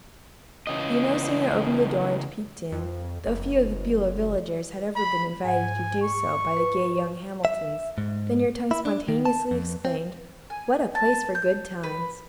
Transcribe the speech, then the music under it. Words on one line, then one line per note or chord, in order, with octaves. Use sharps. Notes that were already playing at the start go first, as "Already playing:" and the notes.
You no sooner opened the door and peeped in, though few of the Beulah villagers had ever been invited to do so by the gay young Hamiltons, than your tongue spontaneously exclaimed: "What a place for good times!"
C#3 E3 D#5
F2
F#1
B5
G#2 F#5 G#5
C#6
B4
E5
G#2
E4
D4
D#3
A5
F2
C4
G#5
A5
G6
B4